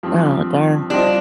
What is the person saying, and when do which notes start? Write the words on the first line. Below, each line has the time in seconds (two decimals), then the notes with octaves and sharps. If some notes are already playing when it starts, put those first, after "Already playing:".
Oh, darn.
0.03 G2 F3 C4
0.90 G3 C4 D4 F4 C5 D#5